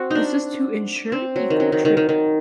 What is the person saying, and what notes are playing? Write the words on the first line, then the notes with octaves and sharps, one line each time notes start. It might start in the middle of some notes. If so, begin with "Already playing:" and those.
This is to ensure equal treatment.
Already playing: C4 F#4
D4 D#4
C4
F#3
D#3
F#3
D#3
D#3
D#3
D#3